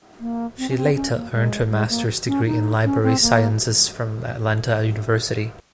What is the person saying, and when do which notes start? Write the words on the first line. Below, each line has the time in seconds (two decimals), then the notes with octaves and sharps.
She later earned her master's degree in library sciences from Atlanta University.
0.20 A#3
0.58 C4
0.69 C#4
0.76 C4
0.96 C#4
1.15 A#3
1.33 G#3
1.70 G#3
1.90 A#3
2.28 C#4
2.46 D#4
2.85 C#4
3.03 C4
3.22 A#3